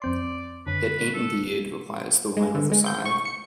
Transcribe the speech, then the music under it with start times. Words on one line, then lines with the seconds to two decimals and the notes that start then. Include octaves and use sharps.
"It ain't indeed," replies the woman with a sigh.
0.02 F2 C4 D5 C6
0.67 F#2 D3 B4
1.14 A4
2.37 G#3
2.55 D3
2.72 G#3
2.86 G6
3.05 C#6
3.25 C#7